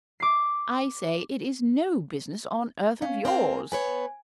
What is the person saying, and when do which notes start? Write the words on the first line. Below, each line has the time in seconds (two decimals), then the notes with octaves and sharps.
I say it is no business on earth of yours.'
0.20 D6 C7
3.02 C#4 F5
3.25 C4 A#4 F5 G#5
3.72 B3 B4 C#5 G#5